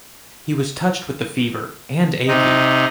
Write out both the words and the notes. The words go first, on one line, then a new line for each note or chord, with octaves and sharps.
He was touched with the fever and achy.
C3 D#4